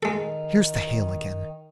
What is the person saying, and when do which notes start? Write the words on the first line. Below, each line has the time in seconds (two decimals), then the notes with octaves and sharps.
Here's the hail again.
0.03 D#3 G#3 A4